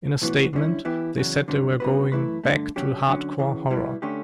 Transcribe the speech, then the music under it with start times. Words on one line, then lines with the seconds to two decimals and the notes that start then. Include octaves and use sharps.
In a statement, they said they were "going back to hard-core horror".
0.22 B1 A2 E3 B3 F#4
0.53 D3 G3 C#4 E4
0.85 E3 B3 E4 G4
1.17 E2 C#3 F#3
1.48 G2 D3 F#3 C#4
1.80 D3 G3 B3 F#4 B4
2.12 F#2 E3 A3 E4 B4
2.44 G2 D3 A3
2.76 D2 C#3 F#3 C#4 G4
3.07 D2 D3 F#3 C#4
3.38 D2 C#3 E3
3.70 B2 G3 B3 E4
4.02 D3 A3 C#4 G4